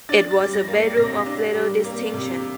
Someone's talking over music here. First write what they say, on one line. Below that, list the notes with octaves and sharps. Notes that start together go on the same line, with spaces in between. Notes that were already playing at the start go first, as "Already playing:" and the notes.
It was a bedroom of little distinction.
D4 A6
A6
G3
A#6
A#3
C7
C3 A#6
D4
G3
A#3
C3